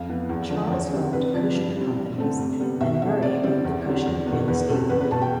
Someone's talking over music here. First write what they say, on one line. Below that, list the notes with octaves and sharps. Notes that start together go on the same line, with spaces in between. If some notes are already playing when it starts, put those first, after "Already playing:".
Charles owns Kushner Companies and Murray owns the Kushner Real Estate Group.
Already playing: F2 F5
E3 B3
E2
D3 F3
D5
E2 C5
D3 G3 C4
C3 B4
F3 C4 D5
G2
E3 G3 C4
G2
D3 A3 C4
C3
G3 B3
B2 E5
A3 C4 E5
C3 D5
E3 G3 C4
E2
D3 G3 C4
E2
B3
B2
E2 B4
B2 G3 C4 A4
E2 B4
B4
B2 B3 A5
G5